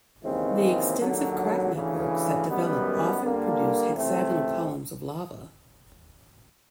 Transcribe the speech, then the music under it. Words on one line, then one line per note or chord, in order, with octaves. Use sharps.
The extensive crack networks that develop often produce hexagonal columns of lava.
D#2 C#3 E3 G#3 C4
D#2 D3 F#3
D2 C#3 E3
F#2 D#3 G3 B3
D3 G3 A#3 D4
C#2 C3 E3 A3 C4